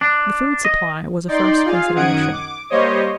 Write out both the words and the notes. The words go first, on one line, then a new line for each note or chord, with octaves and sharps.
The food supply was a first consideration.
D4
D#5
D#4 D5 G5 C6
F4 G#4 F5
F#2 D#3 F#5 D#6 G#6 D7
D6
G3 A#3 G4 C5 C#5 D#5